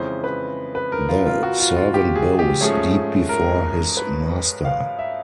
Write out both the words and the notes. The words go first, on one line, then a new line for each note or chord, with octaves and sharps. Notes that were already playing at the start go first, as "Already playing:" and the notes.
The servant bows deep before his master.
Already playing: F2 C#3 E3 G#3 C#4 C5
B4
B4
A#4
F4
F4
F#4
F4
F4
G4
G#4
G4
G#2 F3 A3 C#4 G#4
A#4
B4
F5
E5